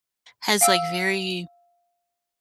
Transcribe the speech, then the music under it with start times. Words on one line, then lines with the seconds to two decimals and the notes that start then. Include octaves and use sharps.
has like, very,
0.61 F5 G5 E6